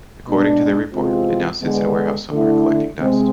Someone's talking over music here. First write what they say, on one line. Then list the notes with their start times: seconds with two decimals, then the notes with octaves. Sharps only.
According to their report, it now sits in a warehouse somewhere, collecting dust.
0.25 B2 G#3 D4
0.93 E2 C3 G#3 C4 F4
1.62 D3 G#3 B3
2.31 D3 A3 E4
3.00 C3 G#3 C4